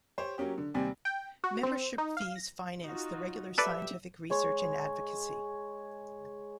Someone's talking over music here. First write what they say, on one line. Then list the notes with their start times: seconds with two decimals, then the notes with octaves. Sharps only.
Membership fees finance the regular scientific research and advocacy.
0.18 G4 C5 C#5
0.38 F#3 A#3 C#4 G4
0.58 D3
0.74 D#2 C3 G3 C4 G#5
1.05 G5
1.44 F#4
1.63 C4
1.98 D#4
2.17 F5
2.36 A#6
2.84 D#4 F4 F#4
3.58 G4 A4 B4 D5 E5
4.30 G#3 C#5